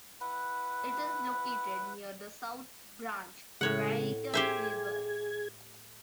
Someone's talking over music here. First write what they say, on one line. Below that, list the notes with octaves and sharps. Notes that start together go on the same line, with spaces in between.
It is located near the South Branch Raritan River.
E4 B4 F#5
A2 C#3 G#3 C#5 F#5
G4 G#4 C5 E5 G#6